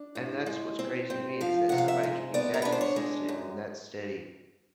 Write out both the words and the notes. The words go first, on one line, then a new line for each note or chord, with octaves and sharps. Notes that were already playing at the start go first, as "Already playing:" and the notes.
and that's what's crazy to me is that somebody could be that consistent and that steady
Already playing: D4
A2
G#3
C4
C4
F3 F5
C3 F#5
F5
E5
G#3
B3 D5
A#4
D4 B4
C5
C#5
G#3
F#2